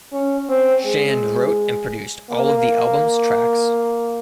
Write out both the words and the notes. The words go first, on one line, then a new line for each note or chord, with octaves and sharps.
Shand wrote and produced all of the album's tracks.
C#4
C4
G#3
A#3